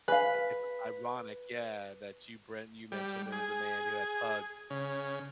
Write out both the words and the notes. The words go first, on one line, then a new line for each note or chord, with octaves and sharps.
it's ironic, yeah, that you bren you mentioned there was a man who had pugs.
B4 F5 G#5
G3
G#4
C#3